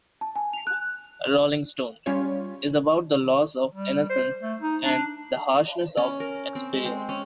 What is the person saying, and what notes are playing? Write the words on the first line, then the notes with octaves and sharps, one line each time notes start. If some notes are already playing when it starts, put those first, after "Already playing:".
'Rolling Stone' is about the loss of innocence and the harshness of experience.
A5
G#5
F7
F#6
G3 C#4 F4 C#5
G3
C5
A3
D#4
D4
C#4
A#4
C4
G#3
C4
C#4